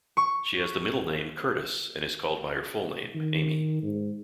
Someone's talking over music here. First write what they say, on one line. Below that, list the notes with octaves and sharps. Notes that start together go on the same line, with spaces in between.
She has the middle name Curtis, and is called by her full name, Amy.
C#6
D#3
G#2